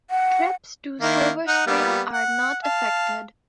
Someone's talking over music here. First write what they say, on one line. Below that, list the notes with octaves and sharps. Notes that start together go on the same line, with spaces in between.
Trips to Silver Spring are not affected.
F#5
D#3 A#3 E4
D#4 F#5
G3 A#3 B3
F#5
F5 A5